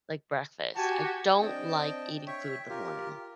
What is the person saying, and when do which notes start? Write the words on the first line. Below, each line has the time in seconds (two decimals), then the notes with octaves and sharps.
like, breakfast. I don't like eating food in the morning.
0.76 F#4 G4 G#5 A5
1.41 C4 D4 D#5 G5 A5
2.27 C#5 E5 G5 C#6
2.69 F4 G4 A#4